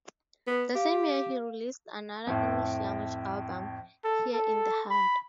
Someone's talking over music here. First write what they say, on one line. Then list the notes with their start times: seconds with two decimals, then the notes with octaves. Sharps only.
The same year he released another English-language album, "Here in the heart".
0.47 B3
0.75 G4 F5
2.27 F2 A2
4.04 A4
4.33 A4
4.90 B5